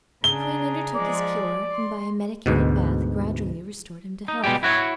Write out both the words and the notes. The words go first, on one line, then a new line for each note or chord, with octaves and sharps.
The queen undertook his cure, and by a medicated bath gradually restored him to health.
C#3 D4 G#4 A#5 G7
F3 G#3 D5
C6
D2 G#2 B2
D#4
B2 G3 G#3 G4
E4 F#4 C#5